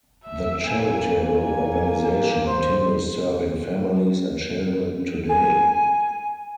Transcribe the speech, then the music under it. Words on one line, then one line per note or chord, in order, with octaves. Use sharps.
The charitable organization continues serving families and children today.
E5
A#3 G#5
G#5
C5
G#5